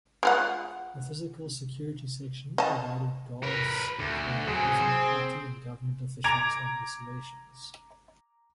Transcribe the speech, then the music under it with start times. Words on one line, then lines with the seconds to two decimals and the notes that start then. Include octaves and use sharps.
The physical security section provided guards for important party and government officials and installations.
0.23 G#3 F4 F#5
2.58 D#5 A5
3.43 A#4 B4
3.99 D2
4.48 F#3 C4 G#4
4.81 C4
6.24 A#5 D6 G#6 D7 F7